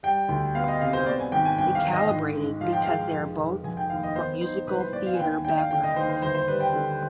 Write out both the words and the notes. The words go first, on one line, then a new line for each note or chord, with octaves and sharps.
They collaborated because they are both from musical theatre backgrounds.
G3 G5
D2
B3 F5
D#5
C3 F5
C5
B3 D5
G#5
G#1 G5
G#5
G2 G5
F5
G#1
D#5
G#2
G#2
F3 F5
G5
G#3 F5
F1
F1
F1 G#5
G5
D#2 F5
D#5
B3 C5
D#4 C5
C2 B4
C5
B3 D5
F5
G#5
D#2 G5
G#5
D4 G5
F5
D3 G5
D#5
D#2 C5
C5
G1 C5
C5
G3 B4
G5
D3